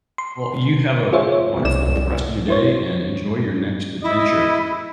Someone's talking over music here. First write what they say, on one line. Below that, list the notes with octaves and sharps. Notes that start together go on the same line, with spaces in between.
Well, you have a wonderful rest of your day, and enjoy your next adventure.
C6
F4 G#4 C5 C#5 E5
C#5
C2 D5 E7
E4 C5 C#5
E4 D#5